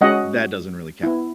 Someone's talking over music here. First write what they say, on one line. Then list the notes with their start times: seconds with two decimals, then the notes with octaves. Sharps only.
that doesn't really count.
0.01 G#3 C#4 F#4 D#5 F#5
1.03 B3 E4